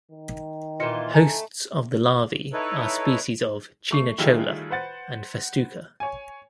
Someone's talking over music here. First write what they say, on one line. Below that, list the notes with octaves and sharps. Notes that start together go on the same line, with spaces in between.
Hosts of the larvae are species of "Chionochloa" and "Festuca".
D#3
A#2 E3 F4 D#5 C#7
A3 G#5 A#5
D#4 E4 A4 B4 C#5
A3 C#6 C7
D#3 G3 A3 E4 F4 G#4
B4 C5 F#5 A6
C#5 G#5